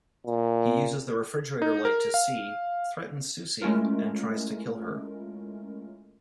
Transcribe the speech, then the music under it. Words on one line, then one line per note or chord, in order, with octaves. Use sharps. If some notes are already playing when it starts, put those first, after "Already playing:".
He uses the refrigerator light to see, threatens Susy, and tries to kill her.
A#2
D#4
A#4
F5
G#3 A3 C#4 E4 F4 A#4